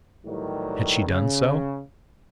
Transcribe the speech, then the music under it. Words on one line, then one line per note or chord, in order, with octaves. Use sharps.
Had she done so?
A2 D#3 E3 F#3 G3
C#3